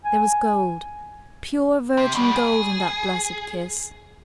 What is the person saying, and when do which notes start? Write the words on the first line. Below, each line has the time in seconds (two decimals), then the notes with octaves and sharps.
There was gold, pure virgin gold in that blessed kiss.
0.05 G#5
1.97 C3
2.15 B2 G3
2.37 G#4